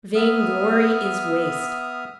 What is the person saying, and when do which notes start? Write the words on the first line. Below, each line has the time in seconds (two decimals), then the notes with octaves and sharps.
Vain-glory is waste.
0.15 B3 E5 D#6 F6